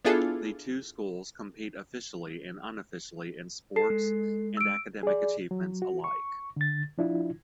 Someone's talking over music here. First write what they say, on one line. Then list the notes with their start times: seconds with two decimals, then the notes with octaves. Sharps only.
The two schools compete officially and unofficially in sports and academic achievements alike.
0.05 B3 D4 E4 F4 G#4 A4
3.76 A4 A5 C7
3.90 G#3
4.57 E6 D7
5.03 G#4 D5
5.51 F#3
5.82 F#4
6.04 C#6
6.56 D3 A6
6.98 F3 D4 E4 F4